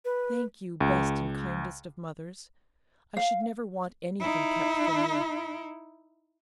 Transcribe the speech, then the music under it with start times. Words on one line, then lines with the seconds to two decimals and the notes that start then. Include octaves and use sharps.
"Thank you, best and kindest of mothers; I should never want anything kept from you."
0.05 B4
0.81 C#2
3.17 F5
4.20 D#4 E4